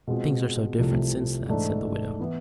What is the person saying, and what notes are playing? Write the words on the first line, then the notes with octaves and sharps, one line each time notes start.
"But things are so different since that," said the widow.
B2 G#3 C4 F4 G#4
C2 C3 F3 A3
G#2 E3 A3 D4
E3 B3 E4